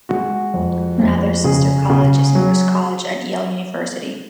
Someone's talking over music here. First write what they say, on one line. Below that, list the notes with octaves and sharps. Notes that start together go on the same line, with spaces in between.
Mather's sister College is Morse College at Yale University.
G#3 F#4
F2
F2
C#3 G#4
C#3
F#3